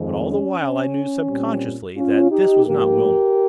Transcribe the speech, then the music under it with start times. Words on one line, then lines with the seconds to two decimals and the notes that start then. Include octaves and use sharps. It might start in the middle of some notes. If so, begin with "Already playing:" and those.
But all the while I knew subconsciously that this was not Wilma.
Already playing: F2 D#3 G#3 C4
0.25 C#4
0.60 C#4
1.28 A#2 G3 C4
1.97 C#4 F4
2.31 D#4 G4
2.65 G#2 F3 A#3 G4 A#4